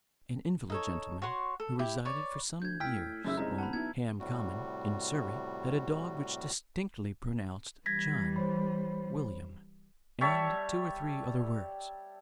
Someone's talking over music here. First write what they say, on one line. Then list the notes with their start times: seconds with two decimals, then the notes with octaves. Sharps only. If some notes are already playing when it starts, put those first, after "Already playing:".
An invalid gentleman, who resided for some years on Ham Common, in Surrey, had a dog which distinctly pronounced John, William, and two or three other words.
0.70 D#4 A4 C#5
1.22 F#4 C#5 F#5 C6
1.60 A4
1.79 E4 G4
2.05 B4 C#5 D5
2.62 D2 G6 G#6
2.80 A2 G5 E6 F6 B6
3.25 A1 F#2 C#3 E5
3.37 C2 G#3 D#4 A#5
3.58 F#5 A5 B5
3.73 B1 B3 E4 G#6
4.20 A2 C3 G3 F#4
7.86 E3 G3 G#6 A#6 B6
8.36 C5 C#5 B5
10.21 G3 C#5 E5 A5